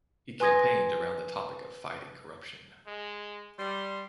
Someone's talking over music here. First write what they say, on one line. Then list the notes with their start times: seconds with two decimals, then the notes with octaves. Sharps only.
He campaigned around the topic of fighting corruption.
0.40 B4 G#5 C6 D#6 G#6 A#6
2.87 G#3
3.59 G3 C6